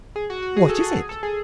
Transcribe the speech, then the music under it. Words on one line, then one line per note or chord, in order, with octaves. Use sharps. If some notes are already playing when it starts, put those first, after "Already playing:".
"What is it?"
G#4
F#4
F#4
G#4
A4
G#4
G#4
A4
G#4